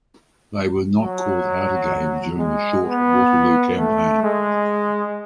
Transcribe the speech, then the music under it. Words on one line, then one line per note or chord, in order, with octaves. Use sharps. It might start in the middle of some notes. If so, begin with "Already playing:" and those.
They were not called out again during the short Waterloo campaign.
F#3
G#3
B3
A3
G#3